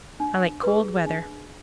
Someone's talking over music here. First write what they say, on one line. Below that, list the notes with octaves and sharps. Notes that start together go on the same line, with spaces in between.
I like cold weather.
D4
G#4 B4
D4